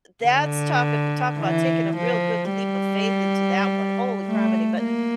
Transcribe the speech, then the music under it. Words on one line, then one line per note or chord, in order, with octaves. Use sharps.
that's talking talk about taking a real good leap of faith into that one. Holy grammity. But
D3
E3
F3
G3
A3
A#3